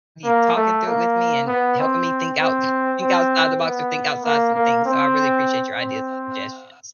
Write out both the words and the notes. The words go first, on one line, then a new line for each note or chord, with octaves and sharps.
me talking through it with me and helping me think out think outside the box or think outside some things. So, I really appreciate your ideas and suggestions.
A#3
A3
A#3
B3
C4
C4
C4
B3
A#3
A#3
C4
C4